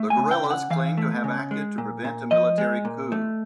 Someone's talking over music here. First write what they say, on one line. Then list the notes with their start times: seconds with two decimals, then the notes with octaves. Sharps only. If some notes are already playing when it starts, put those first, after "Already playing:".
The guerrillas claimed to have acted to prevent a military coup.
Already playing: A3
0.10 G#5
0.17 C#3
0.31 G5
0.43 C#3
0.51 F#5
0.70 E3 F5
0.97 A3
1.24 C#3
1.51 G#3
1.78 A#2
2.05 A#2
2.31 F3 D#5
2.58 G#3
2.85 A#2
3.12 A3